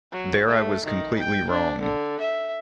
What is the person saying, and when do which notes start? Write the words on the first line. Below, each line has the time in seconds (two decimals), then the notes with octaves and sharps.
There I was completely wrong.
0.12 F#3
0.46 A3
0.85 D#3
1.19 G5
1.50 D4
1.81 D3
2.20 E5